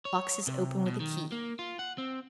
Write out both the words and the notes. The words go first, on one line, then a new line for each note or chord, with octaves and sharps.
Boxes open with a key.
C#5
C3
B2
D#3
A#3
F4
F#5
C4